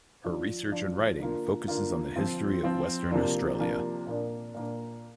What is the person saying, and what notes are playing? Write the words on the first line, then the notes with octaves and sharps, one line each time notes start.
Her research and writing focuses on the history of Western Australia.
F3 D4 F4
F3 D4 F4
D3 A#3 F4
D3 A#3 F4
F3 C4 F4
F3 C4 F4
C3 F3 A#3 D4
C3 F3 A#3 D4
A#2 A#3 D4
A#2 A#3 D4